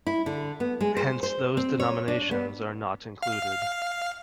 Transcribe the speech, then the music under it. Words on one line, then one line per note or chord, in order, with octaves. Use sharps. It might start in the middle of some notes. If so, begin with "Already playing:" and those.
Hence those denominations are not included.
E4
D3
B3
G#3
C5
C5
C4
C#5
D4
B3
F5